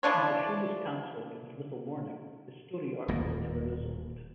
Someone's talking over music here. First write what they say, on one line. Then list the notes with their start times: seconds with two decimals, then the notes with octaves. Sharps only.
As the show was canceled with little warning, the story arc was never resolved.
0.03 E3 F3 D4 C#5
3.08 D#1 E2 A2 A#3